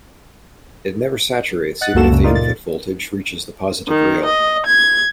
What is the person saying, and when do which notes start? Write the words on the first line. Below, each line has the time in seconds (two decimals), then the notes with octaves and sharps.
It never saturates even if the input voltage reaches the positive rail.
1.81 D#5 F#5 F#6 A6
1.94 C#2 F#2 A#3 F#4 A4 E7
2.09 C#2 F#2 C#3
2.24 D#4 F4 A#4 D5
2.35 A#2 A6
3.88 D#3
4.25 D#5
4.66 G#6